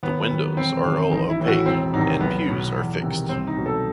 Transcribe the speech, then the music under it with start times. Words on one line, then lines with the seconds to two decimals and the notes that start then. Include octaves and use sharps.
The windows are all opaque and pews are fixed.
0.03 D#2 B3
0.30 D#3 F#3
0.57 E1 C4
0.84 D#2 D#3 F#3
1.11 A1 D#4
1.29 E4
1.40 A2 E3
1.48 F#4
1.66 E1 C4
1.93 E2 C3 D#3 D#4
2.20 B1 B3
2.48 B2 F#3
2.75 E2
3.02 C3 D#3
3.29 C2 C4
3.47 D#4
3.57 B2 F#3
3.66 A4